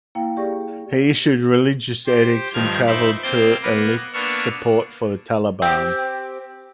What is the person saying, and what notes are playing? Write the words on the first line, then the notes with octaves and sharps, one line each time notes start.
He issued religious edicts and travelled to elicit support for the Taliban.
A#3 E4 F5 G5
G4 G#4 D5 C#6 A#6
G4 C5
G2 D#3 F3 F6 G#6
D#4 C5 E5 B5 D6
A#3 C4 C5 G5 G6 A6
A#3 B3 A#4 B4
A#3 B3 D4 C#6 E6 F6
C4 G4